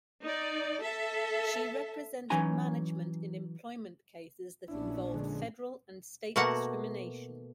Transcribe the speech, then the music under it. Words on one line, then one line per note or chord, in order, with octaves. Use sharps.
She represented management in employment cases that involved federal and state discrimination.
D#4 D5
A4 E5 A5
E3 F#3 C#4 D#4 G#5 A#5
A#1 B3 C#4 D4 E4
D3 G#3
B2 A3 A#3 F#4 F#5